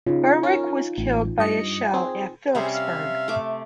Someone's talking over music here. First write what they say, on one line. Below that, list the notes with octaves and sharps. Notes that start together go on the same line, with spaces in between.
Berwick was killed by a shell at Philippsburg.
C#3 D#4 F4
C#4 A#4
A1
G2 D#5 C#7
C4 G#4
C3 G3 C#4 G#4 C5 E5
E5 F5
A3 D6